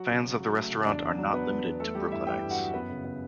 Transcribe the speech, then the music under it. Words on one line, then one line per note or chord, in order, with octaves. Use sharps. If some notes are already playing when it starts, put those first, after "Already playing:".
Fans of the restaurant are not limited to Brooklynites.
Already playing: F#3 F#4 F#5
C#3
F#3
F#3
A3
C#3
E2 D4 D5
E2
F#3
E2 B3 B4
E2
E2
A3 B3 A4
G3 B3 G4
G2 E4 E5
B3 G4 G5
G2
F#4 F#5
F#3
F#2 B3 B4
C#3
B3